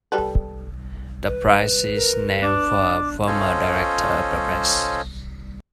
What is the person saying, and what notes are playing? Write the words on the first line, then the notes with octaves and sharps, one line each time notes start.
The prize is named for a former director of the Press.
G3 A4 B4
B4
A#4
D4 D6
C#4 F4 A4 C5 C#5 D#5